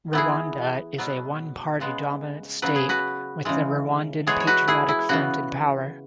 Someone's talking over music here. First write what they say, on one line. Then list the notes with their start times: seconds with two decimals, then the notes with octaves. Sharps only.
Rwanda is a one-party-dominant state with the Rwandan Patriotic Front in power.
0.13 E3 B3 E4 G#4
0.98 B2 F#3 B3
1.80 C#3 G#3 B3
2.62 C#3 F#3 B3 B4
2.76 G#4
2.89 F#4 B4
3.45 C#3 E3 G#3
4.27 E3 G#3 B3 G#4 C#5
4.40 C#5
4.47 F#4 B4
4.68 E4 G#4
4.88 E4
5.09 C#3 E3 B3 F#4